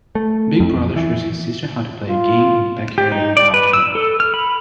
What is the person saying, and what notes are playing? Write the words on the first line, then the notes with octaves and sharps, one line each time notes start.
Big brother shows his sister how to play a game in the backyard in the afternoon.
A3
F2
E3
F4
G4
D#4
D5
B4
E6
A4
F6
B5